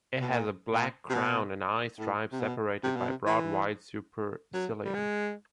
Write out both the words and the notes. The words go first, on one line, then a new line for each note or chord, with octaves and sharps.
It has a black crown and eye stripes separated by a broad white supercilium.
B2
A#2
A#2
C3
B2
A2
C3
B2
C3
B2
C3
E3
F#3
G3
G#3